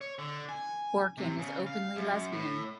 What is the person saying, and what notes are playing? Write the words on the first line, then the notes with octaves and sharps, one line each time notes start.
Orkin is openly lesbian.
C#5
D3
G#5
C3
C#3
F5
F#2
A2